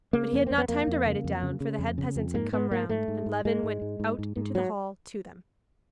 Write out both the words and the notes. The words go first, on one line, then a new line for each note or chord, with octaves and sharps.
But he had not time to write it down, for the head peasants had come round, and Levin went out into the hall to them.
C#3 A#3
F2 C#4
F2 C4
B3
F2 A#3
F2
C#3
F2
C#3
C#3
F2
C#3
F2
G#2 A#3
G#2 B3
G#2 A#3
G#2 A3
G#2
G#2
G#2 G#3
G#2
G#2
G#2
G#2
G#2
F#3